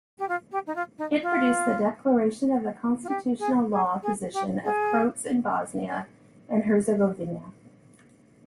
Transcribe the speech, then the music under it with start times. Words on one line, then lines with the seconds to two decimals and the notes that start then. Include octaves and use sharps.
It produced the "Declaration of the constitutional-law position of Croats in Bosnia and Herzegovina".
0.18 G4
0.28 F4
0.51 G4
0.66 D#4
0.75 F4
0.98 D#4
1.22 F4
3.03 F4
3.09 G4
3.39 G#4
3.71 G#4
4.02 G#4
4.33 G4
4.64 G#4